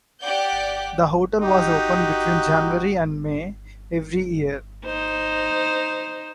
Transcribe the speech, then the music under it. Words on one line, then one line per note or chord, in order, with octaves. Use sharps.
The hotel was open between January and May every year.
G4 D5 F#5 D6 G6
D#4 F#4 G4
D#4 C5